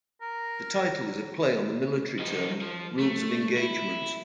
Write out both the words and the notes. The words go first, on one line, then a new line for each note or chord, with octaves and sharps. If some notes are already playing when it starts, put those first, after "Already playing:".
The title is a play on the military term, "Rules of engagement".
A#4
F3 D#4
F3
A3
E4